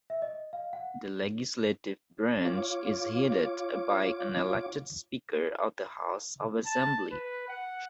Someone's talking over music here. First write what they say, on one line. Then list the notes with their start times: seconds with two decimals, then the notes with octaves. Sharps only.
The legislative branch is headed by an elected Speaker of the House of Assembly.
0.10 E5
0.22 D#5
0.53 F5
0.73 F#5
2.45 F4 C#5 D6
6.66 A5
7.11 B4
7.48 F#5